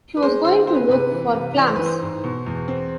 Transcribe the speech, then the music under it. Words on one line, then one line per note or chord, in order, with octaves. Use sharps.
She was going to look for clams.
B4
G#3 C5
D3 C5
G#3 C5
B4
C3 B4
E3
C3
E3 D5
C5
E3 B4
C5
G#2
B2
E2
C4